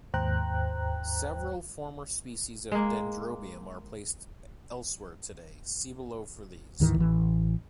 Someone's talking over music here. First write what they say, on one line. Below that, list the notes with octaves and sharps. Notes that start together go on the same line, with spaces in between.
Several former species of "Dendrobium" are placed elsewhere today; see below for these.
D#2 G#2 C5 G5 A#5 F#6
G#3 A#3
D2 G#2 D#3 E3
A1 E3